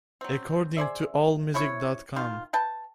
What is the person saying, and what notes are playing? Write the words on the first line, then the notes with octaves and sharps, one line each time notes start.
According to Allmusic dot com.
F#3 C4
G#4 C5 D5 E5
C3 E4 C#5 C#6
D#3 F4
B4 G5 A5